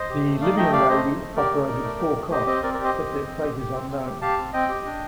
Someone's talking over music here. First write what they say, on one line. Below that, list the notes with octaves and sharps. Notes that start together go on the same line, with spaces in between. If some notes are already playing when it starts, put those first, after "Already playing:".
The Libyan Navy operated four craft but their fate is unknown.
Already playing: C5 D#5
G4
A3
D#4 D5 F5
A3 D#5 G5
G4 D5 F5
A3 C5 D#5
D#4
A3
G4 A#4 D5
A3
D#4
A3
G4
A3
G4 C5 D#5
C4 C5 D#5
C4 A#4 D5
G4 A#4 D5
C5 D#5
G4
C4
C4
G4
G4
C4
C4
G4
G4 F5 A5
C4
C4 D#5 G5
G4
D4